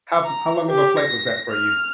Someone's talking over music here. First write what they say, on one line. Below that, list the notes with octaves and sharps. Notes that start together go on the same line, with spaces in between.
How how long of a flight was that for you?
A#5
G4
A#6
F6